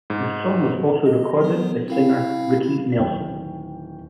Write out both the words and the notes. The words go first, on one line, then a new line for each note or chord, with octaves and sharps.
The song was also recorded by singer Ricky Nelson.
G#2
D#5
F#3 B3
C4 E4 F5
E4
D1 D#3 G5